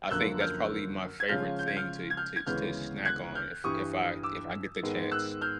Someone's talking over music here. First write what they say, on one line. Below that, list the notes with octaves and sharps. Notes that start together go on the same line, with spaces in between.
I think that's probably my favorite thing to to to snack on if if I if I get the chance,
F#2 D3 F3 A#3 E6 F#6
F6 G6
G#6
C#3 F3 G#3 C#4 F4 F6 G6
G6
G#6
F6 G6
G#6
F6 G6
G#6
D2 C#3 E3 G#3 B3 F6 G6
F#6 G#6
F6 G6
G2 E3 G3 C#6 D#6
D6 E6
G#2 D#3 G#3 B3
E6 F#6
F6 G6